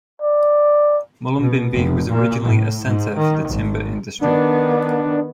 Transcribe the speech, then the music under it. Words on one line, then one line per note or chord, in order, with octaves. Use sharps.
Mullumbimby was originally a centre for the timber industry.
D5
B2
F1
A#2
A2
G#2
D#3
G#1
D#3 B3 D4